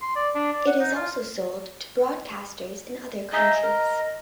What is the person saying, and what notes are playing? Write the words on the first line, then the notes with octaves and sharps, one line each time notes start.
It is also sold to broadcasters in other countries.
C6
D5
D4
D5
F#5
D#4
F4
D#4 G#4 D#5 E5
A#4